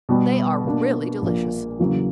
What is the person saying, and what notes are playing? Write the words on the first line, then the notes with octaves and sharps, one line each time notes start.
They are really delicious.
B2 G3 B3
B2 A#3 D4
A#1 A#2 A#3
E2 C#3 F#3 A#3